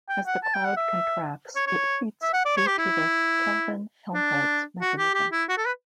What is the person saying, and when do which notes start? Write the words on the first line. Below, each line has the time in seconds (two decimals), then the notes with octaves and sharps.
As the cloud contracts it heats due to the Kelvin-Helmholtz mechanism.
0.09 G5
0.26 F#5
0.43 A5
0.54 G5
0.65 F#5
0.76 E5
1.56 C#5
1.67 C#5
2.22 E5
2.33 F#5
2.45 D5
2.57 C#5
2.67 G4
2.79 E4
4.14 D4
4.81 F#4
4.98 G4
5.14 G4
5.32 E4
5.49 F#4
5.57 A4
5.65 B4